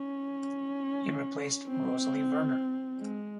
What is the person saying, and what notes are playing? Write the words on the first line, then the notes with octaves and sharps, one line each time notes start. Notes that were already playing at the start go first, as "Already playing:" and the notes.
He replaced Rosalie Verner.
Already playing: C#4
C4
G#3